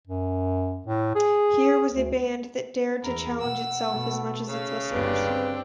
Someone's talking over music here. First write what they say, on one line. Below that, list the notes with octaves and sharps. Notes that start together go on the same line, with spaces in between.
Here was a band that dared to challenge itself as much as their listeners.
F#2
A2
G#4
D2
E2 A#4 B5
B2 F#5 E6
B2 A3
C#3 G#4 F5 E6
G1 D#2 D4 G4 B4
C4